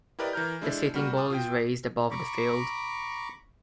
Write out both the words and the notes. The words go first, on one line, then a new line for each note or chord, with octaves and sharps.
The seating bowl is raised above the field.
E4 G4 A#4 B4 D5 D#5
E3 A#4 A#5 F6 G6
G#3 D4 E4 A4
G3 A#3 F#4 F6
A5 C6 D6 D#6
F4 G5
A#5 B5 C#6 D6